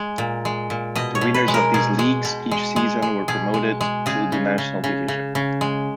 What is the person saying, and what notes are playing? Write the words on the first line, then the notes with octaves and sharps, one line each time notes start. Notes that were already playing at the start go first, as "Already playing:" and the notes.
The winners of these leagues each season were promoted to the National Division.
Already playing: G#3
A#2
G#3
A#2
B2 D#5
C#5
B2
B4
G#3
A#4
B2 G#4
G#3
B2
G#3
G#3
G#3
B2 G#4
G#3
G#3
C#3 G#4
C#3
C#3
C#3
C#3
C#3
G#3